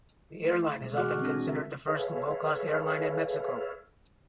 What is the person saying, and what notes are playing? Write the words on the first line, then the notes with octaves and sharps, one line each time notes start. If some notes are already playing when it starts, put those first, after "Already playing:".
The airline is often considered the first low-cost airline in Mexico.
A3
B2 G#3
E3 F#4 G#4 D6 F6 F#6
C4 D4 A4
D3 A#4 E5
G#4 A4 B4 C#5 E5 F5